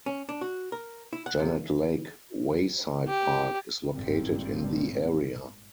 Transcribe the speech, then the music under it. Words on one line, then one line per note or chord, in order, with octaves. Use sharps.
Janet Lake Wayside Park is located in the area.
C#4
D4
F#4
A#4
E4
F#5
C3
G4
G#1 G2 A#2 C4